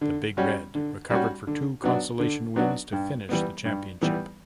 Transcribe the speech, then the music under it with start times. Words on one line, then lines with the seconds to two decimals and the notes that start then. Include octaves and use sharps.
The Big Red recovered for two consolation wins to finish the championship.
0.01 D3
0.37 G3 C#4 F#4
0.75 D3
1.10 G3 C#4 F#4
1.47 D3
1.83 F#3 B3 D4 F#4
2.20 D3
2.56 F#3 B3 D4 F#4
2.93 G2
3.29 E3 G3 B3
3.65 G2
4.01 E3 G3 B3